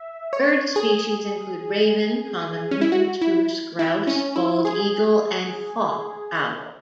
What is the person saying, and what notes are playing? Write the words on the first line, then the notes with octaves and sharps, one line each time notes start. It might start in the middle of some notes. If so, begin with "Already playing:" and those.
Bird species include raven, common loon, spruce grouse, bald eagle and hawk owl.
Already playing: E5
C#5
G#4
C#4
E4
F#4
E4
E4
C#4
E4
G#4